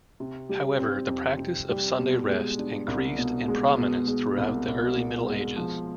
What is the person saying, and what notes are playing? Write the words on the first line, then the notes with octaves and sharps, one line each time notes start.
However, the practice of Sunday rest increased in prominence throughout the early Middle Ages.
C3
G3
C4
F2
C3
G3
B2
G#3
D4
C2
B2
G#3
B2
G#3
C2
C2
B2
G#3
F3